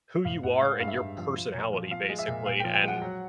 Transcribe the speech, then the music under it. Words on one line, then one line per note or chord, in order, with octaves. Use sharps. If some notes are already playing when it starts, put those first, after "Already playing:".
who you are and your personality, basically, and
A2 F5
A2 F#5
G#3 F5
G2 F5
E5
G2 F5
F3
F3
A#2
F3
F3 F5
G#3
E5
A#2
A#2 F5
G5
F3
G5
G#3 F#5
F#3